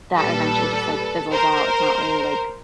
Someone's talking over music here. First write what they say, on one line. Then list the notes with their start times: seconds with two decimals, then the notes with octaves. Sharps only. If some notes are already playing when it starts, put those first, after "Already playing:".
that eventually just, like, fizzles out? It's not really, like,
0.16 A#2 G3 A4 B4
1.31 A#4 C5